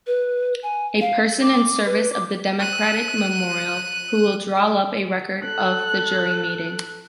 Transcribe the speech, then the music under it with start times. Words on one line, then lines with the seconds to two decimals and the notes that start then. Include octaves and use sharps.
A person in service of the Democratic Memorial who will draw up a record of the jury meeting.
0.07 B4
0.63 G#5
1.01 F5
1.42 D6
1.86 B4
2.12 D6
2.60 F#6 D#7
5.44 A4 F#6